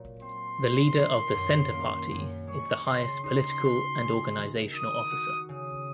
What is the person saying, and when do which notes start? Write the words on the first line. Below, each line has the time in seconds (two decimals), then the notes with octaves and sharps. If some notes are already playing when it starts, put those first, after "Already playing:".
The Leader of the Centre Party is the highest political and organizational officer.
Already playing: A#2 F#3
0.22 C4 C6
0.60 A#2
0.98 D#3
1.35 F#2
1.73 A#3
2.11 F#2
2.47 G#3 C#6
2.86 C#3 C6
3.23 D#4 C6
3.60 F#4
3.99 G#3
4.36 D#3
4.73 D#4 D#6
5.11 F#4
5.49 C#3 D#6